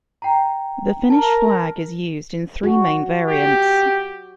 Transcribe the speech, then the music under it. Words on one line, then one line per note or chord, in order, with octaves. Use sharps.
The Finnish flag is used in three main variants.
G5 A#5
A#4 A5
F#4
G4